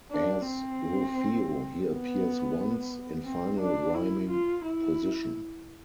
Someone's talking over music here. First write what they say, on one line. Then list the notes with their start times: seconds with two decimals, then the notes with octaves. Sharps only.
As "Rupheo", he appears once, in final rhyming position.
0.11 D4
0.46 C4
1.86 B3
3.25 C4
3.60 D4
3.95 E4
4.30 F4
4.65 E4